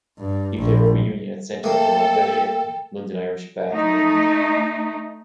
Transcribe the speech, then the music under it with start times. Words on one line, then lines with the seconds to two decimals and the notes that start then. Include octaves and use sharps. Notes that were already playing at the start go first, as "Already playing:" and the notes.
He played rugby union at centre for Montpellier, London Irish, Bath and England.
0.19 G2
0.58 A#1
1.64 A3 A#3 A4 G5
3.73 A3 D#4